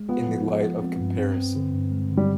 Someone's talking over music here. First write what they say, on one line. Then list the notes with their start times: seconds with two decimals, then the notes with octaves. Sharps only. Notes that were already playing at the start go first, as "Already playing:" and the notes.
in the light of comparison,
Already playing: G#3
0.09 B3 F4
0.28 F3
0.46 F3
0.64 F3
0.82 C4
1.00 G2
1.18 C4
1.38 C4
1.56 D3
1.74 G2
1.92 G#3
2.11 D3
2.17 G3